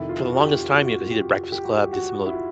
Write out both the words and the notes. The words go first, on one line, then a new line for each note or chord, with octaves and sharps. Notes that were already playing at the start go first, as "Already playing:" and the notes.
for the longest time, you because he did Breakfast Club, did some of
Already playing: F2 C3 D#3 E4
F4
F#4
G4
F#4
F#4
F4
F#4
G4
G4
F#4
G4
F#4
E4
F4